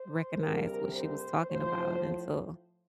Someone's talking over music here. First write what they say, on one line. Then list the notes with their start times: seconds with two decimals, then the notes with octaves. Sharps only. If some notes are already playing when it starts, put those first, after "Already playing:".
recognize what she was talking about until
Already playing: C5
0.38 D2 C3 G3 A#4
0.93 C5
1.48 A2 F3 C5